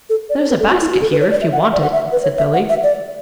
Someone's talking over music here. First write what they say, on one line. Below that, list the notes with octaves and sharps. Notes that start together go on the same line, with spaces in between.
"There's a basket here, if you want it," said Billy.
A4
D5
C#5
B4
A4
F#4
E4
F#4
A4
B4
C#5
D5
E5
F#5
E5
D5
F#5
E5
B4
C#5
E5
F#5
E5
D5